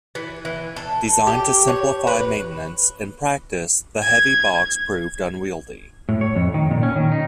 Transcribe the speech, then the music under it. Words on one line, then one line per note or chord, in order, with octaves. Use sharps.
Designed to simplify maintenance, in practice the heavy box proved unwieldy.
E3
E3
A4
G4
C#5
B4
G#6
A2
C#5
F2
D#3
A#2
C#4
D#3
D#4